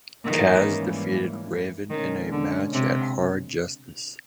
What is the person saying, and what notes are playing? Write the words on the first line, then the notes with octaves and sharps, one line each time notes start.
Kaz defeated Raven in a match at Hard Justice.
G#2 D#3 E3 G3 A#3 C#4
B2 D#3 G#3 C#4
D3
C3